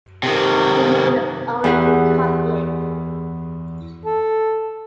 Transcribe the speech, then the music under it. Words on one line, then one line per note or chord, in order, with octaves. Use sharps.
He needed only to copy it.
C3 D#3
E2 G4 G#4 F#5
A4